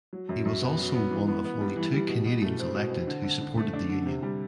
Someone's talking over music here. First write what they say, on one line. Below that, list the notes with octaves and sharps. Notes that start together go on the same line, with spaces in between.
He was also one of only two Canadiens elected who supported the union.
F#3
F#2
F#2
B3
F#3
B3
E3
B3
B3
G3
E3
G3
B2
B2
A3
C4
B2
C4
D3
D3
D3
A3
D4
D3
C3
G3